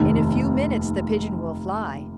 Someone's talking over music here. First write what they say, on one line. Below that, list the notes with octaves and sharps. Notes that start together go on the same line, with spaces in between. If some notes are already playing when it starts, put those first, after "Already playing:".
In a few minutes the pigeon will fly.
Already playing: F1 D#2 D#3